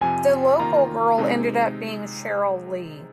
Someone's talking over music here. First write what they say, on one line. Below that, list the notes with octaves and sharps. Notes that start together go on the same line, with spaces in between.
The local girl ended up being Sheryl Lee.
F2 C3 F3 G#5
D#3 A#3 F4 A#5
C3 G#3 C4 D#4